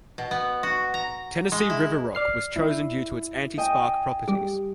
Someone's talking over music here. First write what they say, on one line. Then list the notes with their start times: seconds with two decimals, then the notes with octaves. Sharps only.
Tennessee river rock was chosen due to its anti spark properties.
0.18 B2
0.31 B3
0.63 F#4
0.94 A#5
1.52 G#3
1.70 E4
2.15 D5 F6 C7
2.56 E4
3.58 D#5 G5 G#5
4.28 G3 G4